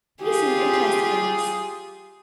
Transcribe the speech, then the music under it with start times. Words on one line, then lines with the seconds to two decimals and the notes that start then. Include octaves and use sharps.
He seemed interested in this.
0.23 F4 G4 G#4